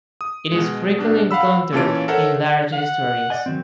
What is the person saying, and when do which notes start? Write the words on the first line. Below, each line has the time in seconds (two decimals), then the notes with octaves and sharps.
It is frequently encountered in large estuaries.
0.21 D#6
0.52 B2 G#3
0.98 B2 D4
1.31 F5 F#5 B5 E6
1.72 A#2 E3 C#4 F4 A5 D7
2.08 A4 A#4 C5 C#5 E5 F#5
2.73 F#5
3.30 D5 D#5 G#5
3.46 D#3 F#3 C4